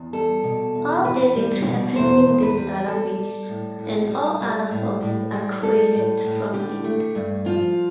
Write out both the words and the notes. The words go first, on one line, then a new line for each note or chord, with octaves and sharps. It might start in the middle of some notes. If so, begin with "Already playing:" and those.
All edits happen in this database, and all other formats are created from it.
Already playing: E2
G3 A4
B2
E2
E2 B4
G3
B2
E2 C5
E2
B4
G3
G3 A4
G3
A2
A2
G3
G3
A2
A2
G3
G3 A4
A2
A2
D3 G4
A3
G2
F3 F4